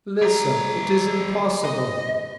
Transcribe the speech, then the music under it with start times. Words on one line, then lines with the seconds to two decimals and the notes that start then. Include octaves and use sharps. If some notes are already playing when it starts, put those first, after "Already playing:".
Listen--it is impossible!
0.22 G3 A#5
1.65 D#5